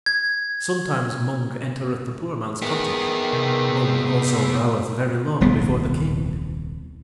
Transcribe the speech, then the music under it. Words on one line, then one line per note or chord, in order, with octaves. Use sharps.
Sometimes Mung entereth the poor man's cottage; Mung also boweth very low before The King.
G#6
D#3 B3 G#4
C3
D#1 C2 B3